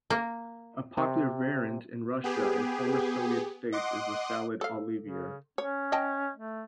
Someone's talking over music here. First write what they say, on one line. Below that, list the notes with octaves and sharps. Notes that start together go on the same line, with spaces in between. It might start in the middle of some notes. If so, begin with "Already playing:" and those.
A popular variant in Russia and former Soviet states is the Salad Olivier.
A#3
C3
B3 G4 G#4
D#5 F#5 C6 D6
A4 F5
C#3
C#4 C#5
D#5 G5 A5
A3